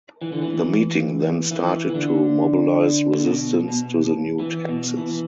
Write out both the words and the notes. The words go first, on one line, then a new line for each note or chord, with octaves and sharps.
The meeting then started to mobilise resistance to the new taxes.
E3
D3
E3
E3
E3
D3
D3
B2
B2
E3
B2
E3